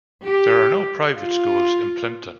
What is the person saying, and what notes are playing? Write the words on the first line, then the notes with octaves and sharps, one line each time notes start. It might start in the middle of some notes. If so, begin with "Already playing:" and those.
There are no private schools in Plympton.
G4
F4